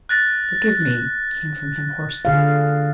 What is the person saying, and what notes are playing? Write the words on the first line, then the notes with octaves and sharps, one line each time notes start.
"Forgive me," came from him hoarsely.
F#6 A6 A#6
D3 G#4 F5